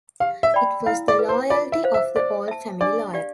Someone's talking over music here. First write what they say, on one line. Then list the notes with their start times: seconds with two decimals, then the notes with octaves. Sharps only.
It was the loyalty of the old family lawyer.
0.20 G4 F5
0.43 E5
0.54 D5 G5 B5
0.86 E4 F5
1.08 D5
1.19 B4 F5
1.29 C5
1.50 F4 D5
1.72 E5
1.84 C5 F5
1.94 E5
2.16 C5 D5
2.48 E5 A5
2.81 D4 D5
3.14 G4 D5 F5